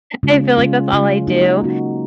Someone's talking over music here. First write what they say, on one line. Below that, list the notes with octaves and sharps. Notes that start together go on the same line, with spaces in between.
I feel like that's all I do.
C#3 G#3 C#4 F4
C#3 G#3 C#4 F4
C#3 G#3 C#4 F4
F#3 A#3 D#4 F#4
F#3 A#3 D#4 F#4